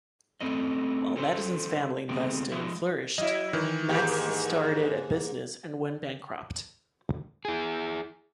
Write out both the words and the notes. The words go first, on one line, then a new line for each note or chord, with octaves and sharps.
While Madison's family invested and flourished, Mac's started a business and went bankrupt.
A3 C4 C#4 D#5
C#4 A4 C5
C#3 G#3 A3 B3 C4 G4
F3 G#3 C5 E5
F#3 E4 D#5
D#3 E3
G#2 A#3 G4
E4 G#4